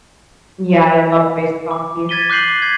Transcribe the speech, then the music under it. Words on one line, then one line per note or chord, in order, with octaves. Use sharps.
Yeah, I love iced coffees.
D6
G#6 A6 B6 D#7 G7
D6 F#6 G6 C7 F#7
G#6 B6 C7